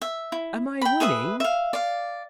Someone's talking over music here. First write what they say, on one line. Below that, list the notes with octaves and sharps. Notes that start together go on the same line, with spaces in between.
"Am I winning?"
E5
E4
G5 B5
G#4 B4 E5 D#6
E5 F5
D5 F5